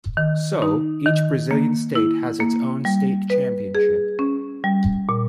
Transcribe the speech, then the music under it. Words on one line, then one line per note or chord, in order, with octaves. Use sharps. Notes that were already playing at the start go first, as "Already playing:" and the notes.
So, each Brazilian state has its own state championship.
D#3
D#4
D#3
A#3
E4
A#3
G3
B4
G#4
C#4
G3
A#2